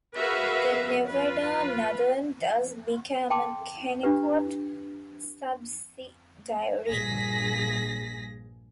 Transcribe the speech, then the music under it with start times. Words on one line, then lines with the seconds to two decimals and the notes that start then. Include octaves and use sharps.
The Nevada Northern thus became a Kennecott subsidiary.
0.17 F#4 G#4 A#4 B4 E5 F5
1.08 F4 B4
3.30 G5 A5 C6 D6
4.03 D4 F4 G4 B4
6.89 A#1 G2 G#4 A#6 B6